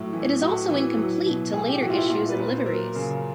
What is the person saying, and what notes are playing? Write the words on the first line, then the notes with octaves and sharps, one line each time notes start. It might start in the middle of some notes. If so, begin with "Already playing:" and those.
It is also incomplete to later issues and liveries.
Already playing: A2 F#3
E3
A2 F#4
E3
F#3
B2
A2 G#4
G4
E3 F#4
F4
E4
A#2 F4
B4
A#2
C5
F#3 A#4
C#3